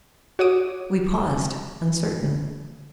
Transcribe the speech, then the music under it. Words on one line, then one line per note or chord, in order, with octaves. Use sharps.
We paused uncertain.
F#4 C#5 D6 D#6